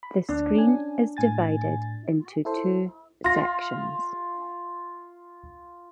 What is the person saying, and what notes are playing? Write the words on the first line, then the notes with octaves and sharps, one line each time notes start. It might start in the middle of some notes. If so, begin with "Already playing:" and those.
The screen is divided into two sections.
B5
D2 D4
C#4 G#5
A2 G#5 A6
E4 A4 C5
F4 C6 A#6